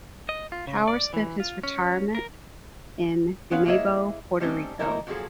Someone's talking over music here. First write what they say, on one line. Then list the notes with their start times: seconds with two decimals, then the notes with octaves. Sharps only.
Power spent his retirement in Guaynabo, Puerto Rico.
0.29 D#5
0.52 F4
0.67 C#3
0.88 D5
1.14 E3
1.40 F4
1.63 C#4
2.15 A#4
3.51 B3 C#4 F4 B4 C#5 F5
3.66 A#3 E4 G#4 C#5 D#5 E5
4.40 G3 A3 C4 C#4 D#4
4.79 D#3 A#3 D#4 E4 A#4
5.07 A#2 F3 F#3 C#4 G#4 A4